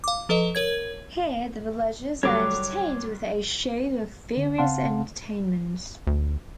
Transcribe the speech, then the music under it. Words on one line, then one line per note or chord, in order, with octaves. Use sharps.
Here the villagers are entertained with a show of various entertainments.
F5 D6
F3 A4 B4 D#5
A#4 C#5 G#6
G2 D3 F#3 C#5 D6
D3
C#3 C4 F5 F#5 A5 C6
D2